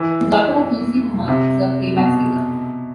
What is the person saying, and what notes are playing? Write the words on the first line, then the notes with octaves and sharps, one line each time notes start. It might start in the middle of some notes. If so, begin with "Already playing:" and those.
His daughter Tulsi Kumar is a playback singer.
Already playing: E3
C3
B2